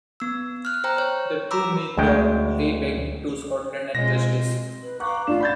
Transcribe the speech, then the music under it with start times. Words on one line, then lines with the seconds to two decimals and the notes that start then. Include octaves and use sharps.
The two make their way back to Scotland and justice.
0.20 B3 E6
0.65 F6 F#6
0.84 C5 G5 A#5
0.98 C#5
1.51 A#5 B5 D6 E6
1.97 D2 G#3 G5
3.95 B2 G#3 C4 F4 A#6
4.81 B4
5.00 F5 A#5 C#6 D6 F#6
5.27 A1 D4 F4 D5 F5 E7
5.40 D5 B5 G6 A6